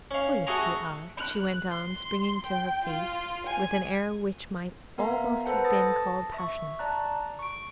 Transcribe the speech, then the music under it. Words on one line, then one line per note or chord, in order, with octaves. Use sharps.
"Oh yes, you are," she went on, springing to her feet with an air which might almost have been called passionate.
C#4 F5
A3 F#4 G#4 G#5 A#5
F#6
C6
G5
F4
G#5
B3 A#4 E5 F5 A#5
A4 B4 C5 F#5 A5
A5 D#6 A6 A#6
E5 C#6
D5 A5 A#5 F#6
C#6 D7